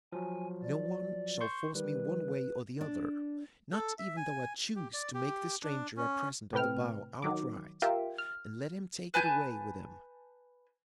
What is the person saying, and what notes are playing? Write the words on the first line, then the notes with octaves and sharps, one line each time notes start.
No one shall force me one way or the other, not even though I choose to make the stranger a present of the bow outright, and let him take it away with him.
F3 F#3 G#5
D5
C6 C#6 G6
D#3 G3 B4
D4
A4
E5
G#5
G4
D5
G4
D4
C#4
A2 C3 B4 G5 F6
D#3 F#3 D6
F4 G4 A#4 E5 F5 G5
F6
B4 G#5 A5 G6